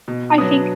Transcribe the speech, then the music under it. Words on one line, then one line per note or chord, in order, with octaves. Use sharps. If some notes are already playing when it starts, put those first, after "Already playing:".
I think
B2
F#3 B3 D4 D#6